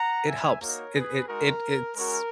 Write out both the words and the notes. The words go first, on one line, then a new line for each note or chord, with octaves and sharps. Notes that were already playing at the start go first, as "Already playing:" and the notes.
it helps. It it it it's
Already playing: F#5 A#5
E5 G#5
A#3 D#4 F#4 A#4 C#5
G#4 B4
G#3 D#4 F#4 A#4
G#3 C#4 F#4 A#4